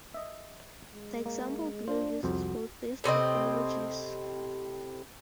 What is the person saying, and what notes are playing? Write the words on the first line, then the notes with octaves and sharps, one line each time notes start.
The example below uses both these technologies.
D#5 E5
G#3
A#3
D4 F4 C5
C2 F2 F#4 C5
A2 C3 C4 D#5